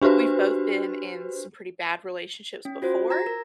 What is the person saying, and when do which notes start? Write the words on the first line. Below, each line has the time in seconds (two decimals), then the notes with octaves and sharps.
we've both been in some pretty bad relationships before,
0.02 D4 F#4 G4 B4 C5
2.65 C#4
2.82 F4 F#4 C5
3.10 A#5 G#6 A#6
3.26 A#4